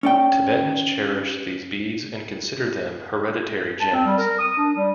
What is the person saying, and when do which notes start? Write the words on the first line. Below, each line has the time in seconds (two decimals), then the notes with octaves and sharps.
Tibetans cherish these beads and consider them hereditary gems.
0.03 C#4 D5 G5
3.81 A5
3.92 C4
4.06 G3
4.17 A#4
4.38 D#6
4.57 D4
4.74 G3